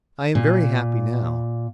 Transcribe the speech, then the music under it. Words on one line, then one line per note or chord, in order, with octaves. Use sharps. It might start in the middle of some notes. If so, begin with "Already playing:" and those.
I am very happy now.
A#2